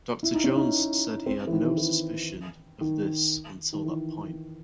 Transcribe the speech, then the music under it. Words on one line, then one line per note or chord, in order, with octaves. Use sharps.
Dr Jones said he had no suspicion of this until that point.
E4
D#4
C#4
D#4
C4
E3
D#3
E3
E3
D#3
D#3
E3